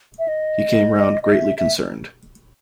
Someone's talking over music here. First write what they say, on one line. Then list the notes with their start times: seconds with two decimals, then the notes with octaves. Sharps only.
He came round greatly concerned.
0.19 E5
0.28 D#5
1.23 D#5
1.33 E5
1.58 E5